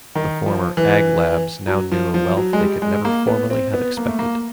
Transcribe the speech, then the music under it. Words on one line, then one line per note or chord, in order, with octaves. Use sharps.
The former "Ag Labs" now knew a wealth they could never formerly have expected.
D#3
F3
E3
F#3
F3
F3
F#3
G#3
G3
G#3
A#3
B3
C4
B3
A#3
A3
A#3